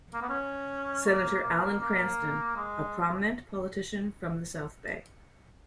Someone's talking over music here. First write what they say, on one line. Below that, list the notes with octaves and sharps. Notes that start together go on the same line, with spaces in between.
Senator Alan Cranston, a prominent politician from the South Bay.
A#3
B3
C#4
A#3
A#3
A#3
G#3